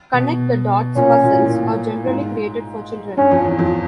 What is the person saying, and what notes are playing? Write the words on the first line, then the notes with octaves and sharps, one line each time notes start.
Connect the dots puzzles are generally created for children.
B2
A#2 C#4
A#2
A2
A#2
G#2
G2 C#4
F2
E2
F2